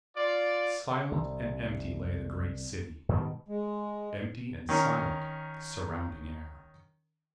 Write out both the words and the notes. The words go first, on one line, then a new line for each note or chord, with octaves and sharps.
Silent and empty lay the great city--empty and silent the surrounding air.
F4 D5
C2
G#2 B2 D#3 G3
G#3
D#3 C#4 A#4